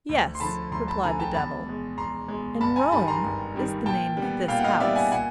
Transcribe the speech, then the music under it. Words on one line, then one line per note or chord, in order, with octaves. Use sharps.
"Yes," replied the devil, "and Rome is the name of this house."
D2
C6
D3 F3 A5 B5
D2 A#5 C6
A5 B5
D3 F3 G#5 A#5
G5 A5
E2 A5 B5
B2 G#3
E2 A#5 C6
G#3
B2
G1 A5 B5
G#5 A#5
G2 D#3 G3 A5 B5
A#5 C6
G1
G2 D#3 G3
A#2 G5 A5
G3
B3
A#2 F5 G5
F#5
D#5 F5
G3 B3 D5 E5
F#5 G#5
A#2 F#5 G#5